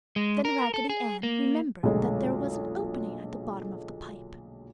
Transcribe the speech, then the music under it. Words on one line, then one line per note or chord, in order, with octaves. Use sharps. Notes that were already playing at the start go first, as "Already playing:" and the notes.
Then Raggedy Ann remembered that there was an opening at the bottom of the pipe.
G#3
A#4
A4
G#4
A#3
B1 F2 A#2 D3 G#3 A3